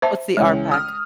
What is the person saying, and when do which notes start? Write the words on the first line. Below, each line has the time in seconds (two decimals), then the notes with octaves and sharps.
What's the RPAC?
0.02 C5 E5 A5
0.37 C#2 E3 G#3 C#4
0.71 D#6 F6